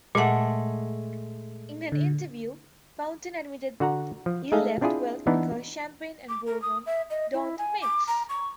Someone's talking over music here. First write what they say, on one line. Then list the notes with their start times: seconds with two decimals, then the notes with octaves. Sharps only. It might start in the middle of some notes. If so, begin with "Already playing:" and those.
In an interview, Fountain admitted he left Welk because Champagne and bourbon don't mix.
0.15 A#2 G#3 A3 F#5
1.92 D3
3.80 D3 F#4 F#5 A#5
4.26 F3
4.52 G#3 A3 D#4 G#4 A4 F5
4.81 C4 D4 E4 F4 G#4
5.27 E3 B3 D4 D#4
6.29 D6
6.46 A#4
6.62 D#6
6.86 E5
7.10 D#5
7.33 E4
7.58 G#5
7.82 D6
8.07 A#5
8.29 C#6